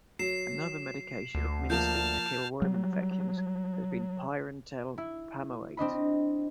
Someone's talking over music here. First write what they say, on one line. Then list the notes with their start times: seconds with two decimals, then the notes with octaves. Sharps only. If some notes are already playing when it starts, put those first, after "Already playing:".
Another medication administered to kill worm infections has been pyrantel pamoate.
0.19 F#3 C7 E7
1.35 D2
1.70 F3 A#3 A5 F6 G6
2.62 F#3 G3
4.98 E4
5.77 C4 D4 D#5 B5